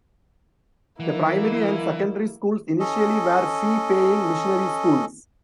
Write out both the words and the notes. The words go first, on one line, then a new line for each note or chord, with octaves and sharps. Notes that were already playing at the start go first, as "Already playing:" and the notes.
The primary and secondary schools initially were fee paying missionary schools.
E3 F#3 A#3 E4 A#4 D#5
C#4 A4 D#5